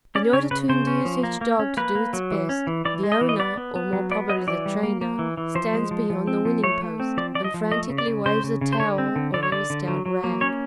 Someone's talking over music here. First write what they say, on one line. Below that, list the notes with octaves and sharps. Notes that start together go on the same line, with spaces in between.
In order to induce each dog to do its best, the owner, or more probably the trainer stands beyond the winning post, and frantically waves a towel or very stout rag.
C#4 D5
C#3 C#5
C#3 B4
C#3 C5
C#4
F3
A#3
A#3
C#4
A#3 B4
A#3
F#3
E3
C#4
E3
E3 D5
G#3
D#5
E3
D#5
B3 D5
B3
B3
F#3
B3 D5
F#3 D#5
E3 D5
G3
A#3
A#3
E3
E3
F3 C5
G#3
F3
F3
C4
F3
A3 C#5
A3
C4
F3 D5
F3 D5
D#5
F3
A3 D#5
C#3
D5
C#3
C#3 C5
C#3
C#3
C5
D3 C#5
C4
D3
D3 D5
C#5
D3 D5
D3
F#3
F#3
A#3
C#4 C#5